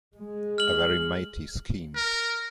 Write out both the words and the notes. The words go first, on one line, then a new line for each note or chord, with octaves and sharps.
A very matey scheme.
G#3
F6 F#7
A#4